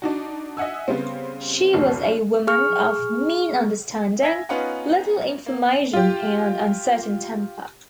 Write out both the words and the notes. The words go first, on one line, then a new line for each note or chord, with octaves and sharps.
She was a woman of mean understanding, little information, and uncertain temper.
D4 D#4 F#4
D#5 E5 F#5 G#5 E6
C#3 G3 B3 C4
F#1 D2 C3 F3
G#4 C#6 F6
E5 G#5 G#6 A#6 B6
B3 C#4 D#4 F4 B4 F#5
A#3
F4 G4